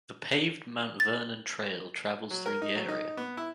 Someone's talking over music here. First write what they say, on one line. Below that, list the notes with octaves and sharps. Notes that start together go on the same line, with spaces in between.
The paved Mount Vernon Trail travels through the area.
A6
F#3
A#4
D#4
F#3
D#4
B3
E4